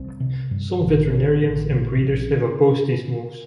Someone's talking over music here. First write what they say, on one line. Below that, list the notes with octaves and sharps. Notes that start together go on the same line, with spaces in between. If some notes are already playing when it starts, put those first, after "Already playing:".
Some veterinarians and breeders have opposed these moves.
Already playing: C2 C4
C3
G2
A1
D3 C#4
A1
A#2
A#1
D4